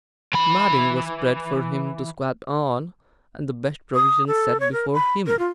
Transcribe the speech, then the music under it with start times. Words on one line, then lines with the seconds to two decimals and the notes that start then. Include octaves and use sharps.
Matting was spread for him to squat on, and the best provisions set before him.
0.33 E3 B5
3.95 D#6
4.27 A4
4.60 C#5
4.73 A#4
4.94 B5
5.27 A#4
5.39 F4